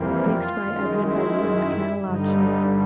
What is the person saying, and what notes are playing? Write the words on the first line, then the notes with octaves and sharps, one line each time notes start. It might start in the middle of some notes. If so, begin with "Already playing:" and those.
Mixed by Adrian Belew and Ken Latchney.
Already playing: F2 C3 E3 G3 A#3
F4
F#2 D#3 G#3
E4
G2 D3 G3 D#4